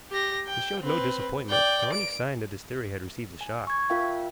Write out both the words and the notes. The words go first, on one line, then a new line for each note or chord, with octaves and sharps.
He showed no disappointment, nor any sign that his theory had received a shock.
G4 A#6
G5
C4 B4
D5 G5
D7
G#5
C#6 G#6
F4 A#4 E5 F5 G5